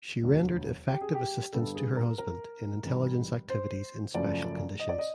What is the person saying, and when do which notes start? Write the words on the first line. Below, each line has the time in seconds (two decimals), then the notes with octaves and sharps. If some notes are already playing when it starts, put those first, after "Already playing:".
She rendered effective assistance to her husband in intelligence activities in special conditions.
0.23 E1 D2 D3 F#3
0.88 G4
1.01 G#4
1.15 G4
1.53 G2 D3 G3 B3 A4
1.75 G#4
1.97 A#4
2.18 A#4
2.84 G#1 G#2 E3 G3
3.50 C5
4.15 F#1 F#2 C#3 F3 A3 D5
4.80 D#5
4.89 D5
4.99 D#5